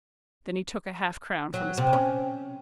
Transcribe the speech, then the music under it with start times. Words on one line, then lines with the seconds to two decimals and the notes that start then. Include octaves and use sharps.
Then he took a half-crown from his pocket.
1.54 F#3
1.77 C3
1.93 C#4